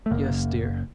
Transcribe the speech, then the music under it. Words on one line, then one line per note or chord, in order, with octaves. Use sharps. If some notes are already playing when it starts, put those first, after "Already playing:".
"Yes, dear!"
A3
F#1 F#2 C#3 A#3